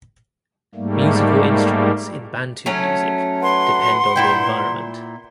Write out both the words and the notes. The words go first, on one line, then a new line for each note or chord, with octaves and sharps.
Musical instruments in Bantu music depend on the environment.
G#2 G3 A3 A#3
F#3 A3 C#4
B4 F#5 C6
A#2 E4 G5